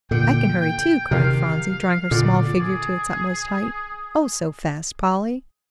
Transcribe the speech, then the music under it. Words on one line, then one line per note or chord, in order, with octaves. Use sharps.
"I can hurry too," cried Phronsie, drawing her small figure to its utmost height, "oh, so fast, Polly!"
A#2 D3 G5
G5
C3 D#3 F5
A#2 D3 D5
G#4